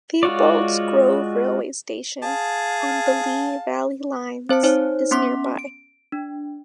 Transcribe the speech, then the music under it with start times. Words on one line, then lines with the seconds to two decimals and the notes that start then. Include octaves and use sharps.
Theobalds Grove railway station, on the Lea Valley Lines, is nearby.
0.23 G#3 F4 F#4 C#5 D5
2.23 G#4 F5 A5
4.49 C4 C5 A5 C#7
4.63 D#4 C5 C#5
5.11 B3 C#4 C6 D6 B6
5.59 D7
6.12 D4